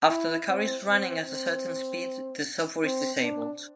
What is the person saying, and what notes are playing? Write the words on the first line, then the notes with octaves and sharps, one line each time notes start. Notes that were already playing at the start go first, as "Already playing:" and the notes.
After the car is running at a certain speed, the software is disabled.
E4
C4
C4
C4
C4
D4